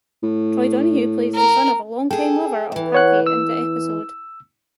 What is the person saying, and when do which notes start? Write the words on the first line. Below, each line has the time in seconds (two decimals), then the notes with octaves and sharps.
Troy Donahue plays the son of a long-time lover of Pappy in the episode.
0.23 A2
1.35 A#4
2.11 G#4 A4 G5
2.72 E2 E3
2.94 C#5 F#5 F#6
3.26 E6